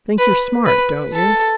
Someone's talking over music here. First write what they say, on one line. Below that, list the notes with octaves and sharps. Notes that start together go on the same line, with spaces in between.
Think you're smart, don't you?
B4
B4
A4